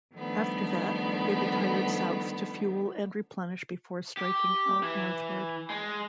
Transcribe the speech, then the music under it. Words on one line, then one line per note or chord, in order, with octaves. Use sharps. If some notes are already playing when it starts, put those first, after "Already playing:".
After that, they retired south to fuel and replenish before striking out northward.
D#3 F3 G3 A3 B3 D4
G4
E3
G#3